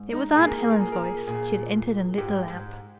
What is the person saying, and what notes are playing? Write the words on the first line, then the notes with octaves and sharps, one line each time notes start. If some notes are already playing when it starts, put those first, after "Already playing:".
It was aunt Helen's voice; she had entered and lit the lamp.
Already playing: G#2
D#4
A#2 G#4
A#4
G#4
A#4
G#4
A#4
G#4
A#2 G#4
G#2 G4
G#2